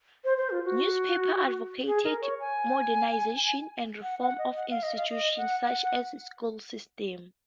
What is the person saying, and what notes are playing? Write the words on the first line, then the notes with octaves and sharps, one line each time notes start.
Newspapers advocated modernization and reform of institutions such as the school system.
C5
C5
F4
F#4
G#4
A#4
C#5
G#5
F#5
F#5
D#5
F#5
F5
D#5
F5
D#5
F#5
F#5
F#5